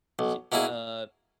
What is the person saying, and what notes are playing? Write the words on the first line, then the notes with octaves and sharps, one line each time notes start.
she, uh,
B1
B2 A#3 E4 G#4